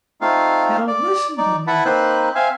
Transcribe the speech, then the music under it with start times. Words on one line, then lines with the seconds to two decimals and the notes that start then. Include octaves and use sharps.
Now listen to me.
0.21 A3 C4 D#4 F4 F5
0.88 D5
1.38 D#4 D5
1.67 E4 B4 F#5 A5 B5
1.85 A#3 C4 D#4 B4 C5 F#6
2.35 C4 E5 F5 G#5